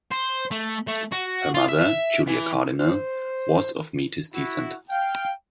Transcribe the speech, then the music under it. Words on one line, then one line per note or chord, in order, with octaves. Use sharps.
Her mother, Julia Cardinal, was of Metis descent.
C5
A3
A3
F#4
F4
E5
E3
C5
E4 F#4
F5 G5